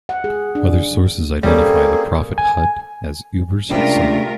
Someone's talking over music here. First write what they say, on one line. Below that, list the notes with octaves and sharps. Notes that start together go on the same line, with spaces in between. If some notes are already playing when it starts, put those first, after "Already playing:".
Other sources identify the prophet Hud as Eber's son.
F#5
G#4
D4
G3 A#3 C4 C#4 G#4 A4
G#5
C#2 C3 G3 A3 D4 F4 A#4 G5